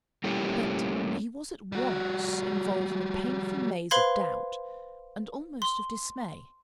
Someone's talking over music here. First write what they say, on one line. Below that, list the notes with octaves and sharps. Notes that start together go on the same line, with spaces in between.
But he was at once involved in a painful maze of doubt and almost of dismay.
G3 A3 A#3 C#4 E4 G4
G3 F#4
B4 C5 F5 B5 C6 G#6
C6